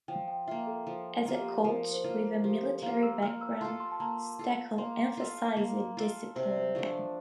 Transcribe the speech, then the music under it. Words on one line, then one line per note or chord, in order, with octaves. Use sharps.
As a coach with a military background, Steckel emphasized discipline.
F3 G5
G5
A#3 F4 E5
A4
F3 A4
A#3 F4
G4
F3 A#4
C5
A#3 F4
A4
F3 G4
A4
A#3 F4 F5
E6
A#3 F6
E6
F4 A4 C6
C6
A5
A#3 A#5
F4 A4
A#3 C6
F4 A4
A#3
F4 A4
C3 C5
D5
C5
F3 A3 D4